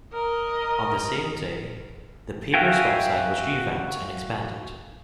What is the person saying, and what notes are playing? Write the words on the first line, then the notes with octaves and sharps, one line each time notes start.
On the same day, the paper's website was revamped and expanded.
A#4 D#5
F#4 E5 F5 G5 G#5